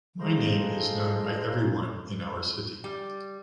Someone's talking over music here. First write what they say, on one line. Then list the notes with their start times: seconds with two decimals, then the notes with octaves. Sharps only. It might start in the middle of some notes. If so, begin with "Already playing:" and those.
My name is known by everyone in our city.
0.20 G#3 F4 A4 C5 A#5 C6
2.84 G3